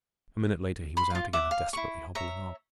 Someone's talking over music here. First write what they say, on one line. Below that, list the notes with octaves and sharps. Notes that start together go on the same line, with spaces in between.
A minute later he was out again and desperately hobbling on.
B5 C6
F4 F5
E5 F#5 D6
F5
E4 C#6
C#5 E5 A#5